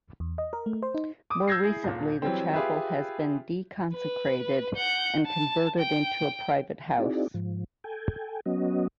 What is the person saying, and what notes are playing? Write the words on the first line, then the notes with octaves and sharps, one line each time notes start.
More recently the chapel has been deconsecrated and converted into a private house.
E2
D#5
A#4
A3
C5
D#4
D6 D#6
E6 G6 G#6 A#6 C7
E4 G#4
D#1 A#2
E3 F#3 G3 C4
F4 G4 G#4 B4 E5
B4
F#5 G6
A5
G5
C4 D#4 E4 F#4 G#4 D5
G#2 F3
A4 G5 G#5
F#3 B3 C#4 F#4 D#5